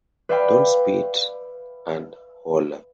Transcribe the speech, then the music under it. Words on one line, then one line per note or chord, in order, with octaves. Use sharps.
Don't Spit and Holler!
B4 D5 E5 F5 G5 B5